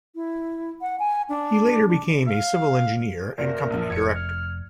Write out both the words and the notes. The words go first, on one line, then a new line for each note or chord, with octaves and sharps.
He later became a civil engineer and company director.
E4
F#5
G#5
D4
F5
F#1 F#4 A#4 D5
A#1 F3
F1 G#6 C#7
F6